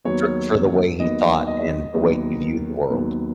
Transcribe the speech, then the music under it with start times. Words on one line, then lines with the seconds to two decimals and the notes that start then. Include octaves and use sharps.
For for the way he thought and the way he viewed the world.
0.05 D#2 D#3 F#3 B3 C#5
0.99 D#2 D#3 F#3 B3 D#5
1.47 D#5
1.94 D#2 D#3 F#3 B3
2.90 D#2 D#3 F#3 B3